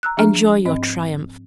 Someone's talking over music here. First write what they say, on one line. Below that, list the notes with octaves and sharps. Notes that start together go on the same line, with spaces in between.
Enjoy your triumph!
A#5 E6 F#6
F3 D4 G#4 A#5 F6
G#2 C4 D#5